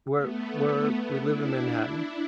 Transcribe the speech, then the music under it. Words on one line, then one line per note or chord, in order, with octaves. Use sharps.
Where where we live in Manhattan.
A3 B3
D4 E4
D4 E4